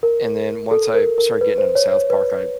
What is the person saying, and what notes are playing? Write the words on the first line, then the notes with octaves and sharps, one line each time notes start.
and then once I started getting into South Park, I
A#4
A4
A#4
A#4
B4
C5
C#5
C#5
B4